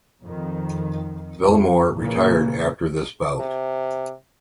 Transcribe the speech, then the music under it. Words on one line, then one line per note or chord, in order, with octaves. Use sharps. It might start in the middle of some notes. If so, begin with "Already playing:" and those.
Villamor retired after this bout.
F2 D#3
F2
A#2 C#3 E3 A#3
C3